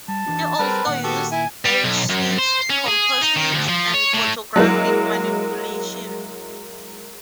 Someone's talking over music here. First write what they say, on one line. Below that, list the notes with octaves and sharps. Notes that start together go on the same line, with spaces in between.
He also used staged scenes, composites and photographic manipulation.
G3 A5
E3 D4 F#4
G3 C4 G#4 A#4 B4
A#2 D#3 A#3 F#5
F#4 G4 A4
E4 G#5
G3
B1
F#2
C5
C#4
G#4
D#4
D#3
D2
F3
C#5
A2
F#3 G#3 A#3 E4